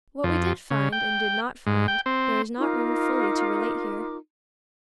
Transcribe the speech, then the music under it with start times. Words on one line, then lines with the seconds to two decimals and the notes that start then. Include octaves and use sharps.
What we did find, and did not find, there is not room fully to relate here.
0.24 F2
0.70 C#3
0.92 G5
1.66 G#2
1.88 G5
2.06 C4
2.58 D#4 F4 A#4 D6